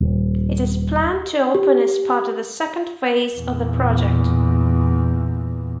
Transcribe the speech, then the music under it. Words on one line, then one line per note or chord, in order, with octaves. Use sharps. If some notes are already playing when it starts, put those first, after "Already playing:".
It is planned to open as part of the second phase of the project.
D#1
G4
E2 A#2